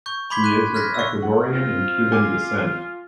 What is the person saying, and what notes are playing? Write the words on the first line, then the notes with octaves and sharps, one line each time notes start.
He is of Ecuadorian and Cuban descent.
C#6 G6
B5 C6 D6 G#6 B6 G7
F#6 D#7
F6 F#6 G#6 A#6 B6
C#6 E6
F#5
C4 F4 A#6
G#5 D6